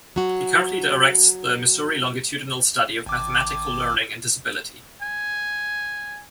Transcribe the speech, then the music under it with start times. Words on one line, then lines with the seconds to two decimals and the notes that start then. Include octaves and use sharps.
He currently directs the Missouri Longitudinal Study of Mathematical Learning and Disability.
0.16 F#3 F#4
3.06 G#1 D6
5.02 G#5